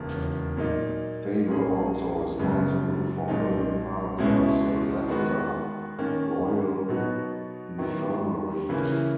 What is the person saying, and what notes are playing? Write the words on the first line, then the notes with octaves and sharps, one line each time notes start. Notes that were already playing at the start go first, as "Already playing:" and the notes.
They were also responsible for early parts of the Leicester Royal Infirmary.
Already playing: E1 D#2 C#3 E3 A#3
A#2 F#3 A#3 D#4
B1 A#2 A#3 C#4 G#4
F#1 F#2 C#3 G#3 B3
B1 A#2 G#3 D#4
C#2 B2 G#3 C#4 E4
D#3 G#3 B3 F#4
D#3 A#3 C#4
B2 F#3 B3 D#4 F#4
D#3 F#3 B3 E4
C#3 E3 A#3 E4 B4